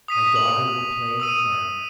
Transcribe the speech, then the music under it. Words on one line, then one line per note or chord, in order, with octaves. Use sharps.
My daughter will play in the garden.
D#6 B6 D#7
F#7
D#6 E6 D#7